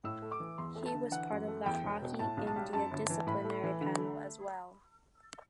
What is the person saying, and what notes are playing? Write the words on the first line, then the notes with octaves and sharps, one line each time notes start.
He was part of the Hockey India disciplinary panel as well.
A2 E6
A3
D6
E3
E2 C6
A3
A5
D3
E3 F#5
F#2
A3
E2 G5
E1
B2
A2 A5
B1
A5
G3
F#2 A5
G1
E3
A2 B5
A3
E3
D3
A3